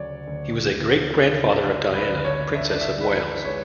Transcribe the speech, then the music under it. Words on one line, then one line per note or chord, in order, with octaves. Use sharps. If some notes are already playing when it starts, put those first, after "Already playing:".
He was a great-grandfather of Diana, Princess of Wales.
Already playing: D2 C#3 F#3 C#5 D5
D2
D2
C#3
F#3 D5
B4
D2
C#5
D4 E5
D5
E5
E3 B4
B4
G#3 C#5